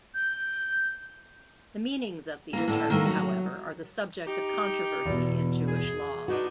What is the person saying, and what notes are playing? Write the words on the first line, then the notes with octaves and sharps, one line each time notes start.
The meanings of these terms, however, are the subject of controversy in Jewish law.
G6
E3 F3 A#3
A2 D3 A4
D#3 A3 A#3
F#3
D#4 G4
E2 B2
G#4
B3 D4 D#4 F#4